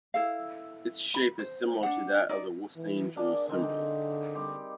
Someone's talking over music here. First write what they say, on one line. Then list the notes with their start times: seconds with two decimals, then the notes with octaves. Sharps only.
Its shape is similar to that of the "Wolfsangel" symbol.
0.14 E4 A4 F5
1.14 B5
1.39 C5
1.83 D4 F#5
2.29 D#4 D5
2.76 E3
3.17 A#3 D4 G#4 D5
3.49 D3 C4 D#4
4.35 G3 C4 G4